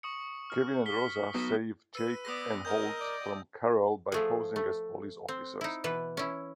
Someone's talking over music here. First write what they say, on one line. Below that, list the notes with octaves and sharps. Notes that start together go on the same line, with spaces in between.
Kevin and Rosa save Jake and Holt from Carol by posing as police officers.
C#6 D#6 C#7
F6
B6 G7
F#3 B3
B4 E6 D#7
B3 D5 D#6 A#6
G#3 B3 C#4 A#4 D#5 G6
D5
F3 A3 G#4
A3
C4
D#4 E4
B2 E3 B4
C#4 E4